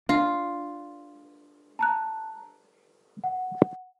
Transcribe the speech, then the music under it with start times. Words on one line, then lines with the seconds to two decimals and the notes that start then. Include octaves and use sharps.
Salt and alum were also quarried at Kalabagh.
0.09 D4 F4
1.79 A5 A#5 F#6
3.24 F#5